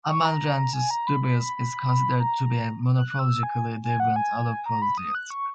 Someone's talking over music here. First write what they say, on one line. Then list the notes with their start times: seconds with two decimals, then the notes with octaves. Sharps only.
"Amaranthus dubius" is considered to be a morphologically deviant allopolyploid.
0.09 C#6
0.25 A#5
0.73 G#5
0.91 A#5
1.07 B5
1.22 B5
1.39 B5
1.56 B5
2.20 A#5
2.46 A#5
2.95 F#6
3.08 F#6
3.19 E6
3.43 G#5
3.84 G#5
4.00 F#5
4.16 G#5
4.66 A#5
4.82 B5
4.98 D#6
5.15 F#6
5.30 C#6